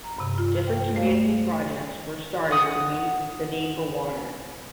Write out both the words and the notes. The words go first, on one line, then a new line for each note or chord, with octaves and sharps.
Different community projects were started to meet the need for water.
A#5
G2 C3
F4
G5
A3 C5 F5
F#5 D#6